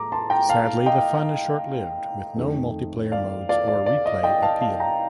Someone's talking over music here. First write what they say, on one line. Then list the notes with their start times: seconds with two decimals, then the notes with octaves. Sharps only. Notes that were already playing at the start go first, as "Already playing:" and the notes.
Sadly, the fun is short-lived, with no multi-player modes or replay appeal.
Already playing: A2 A3 A#5 D6
0.12 A5 C6
0.30 G5 A#5
0.49 F5 A5
0.86 D#5 G5
2.36 F2 D#3 A3
3.12 D5 F5
3.49 D5 F5
3.68 D5
3.86 D5
4.06 D#5
4.23 D#5 G5
4.42 F5 A5
4.61 F5 A5
4.80 G5 A#5